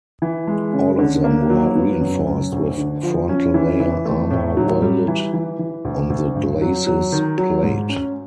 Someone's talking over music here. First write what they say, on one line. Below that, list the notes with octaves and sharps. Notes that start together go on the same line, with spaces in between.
All of them were reinforced with frontal layer armor welded on the glacis plate.
E3
G#3
C#3
D3
A#3
F#3
B3
F#2
F#2
D2
D3
F3
C#4
E3
E3
A3
A2
F#3
G3
E3
E3
E3
D2
D2
G2
F#3
F#3
D#3
F#3
G#2
C#4